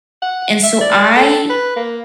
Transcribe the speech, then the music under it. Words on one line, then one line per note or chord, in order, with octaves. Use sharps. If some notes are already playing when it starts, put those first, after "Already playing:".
and so I
F#5
E5
D5
A4
B4
A#3